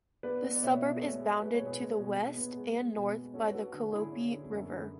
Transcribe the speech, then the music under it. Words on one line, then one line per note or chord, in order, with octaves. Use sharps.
The suburb is bounded to the west and north by the Calliope River.
B3 B4 D5
B3
D5
B2 C#5 E5
B2
G#3 A4 C#5
G#3
G#3 B4
C#5
B2
G#4 B4
G#3
B2
B2
B3
G#3
G#3
B2
G#3
C#4 F#4 A4
B4
C#4 F#4 A4
D3 F#4
D3 E4 G#4
C#4
D3
F#2
D3